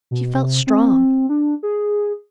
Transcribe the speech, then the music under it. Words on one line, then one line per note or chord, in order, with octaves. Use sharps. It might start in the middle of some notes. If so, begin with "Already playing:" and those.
She felt strong.
B2
C3
C4
D4
G#4